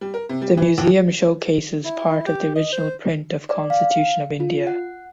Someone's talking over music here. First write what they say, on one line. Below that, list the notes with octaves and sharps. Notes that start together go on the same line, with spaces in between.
The museum showcases part of the original print of constitution of India.
G3
A#4
C3
G3
E3
D#2
E4
G4
D#5
C5
D5
F5
F4
F#5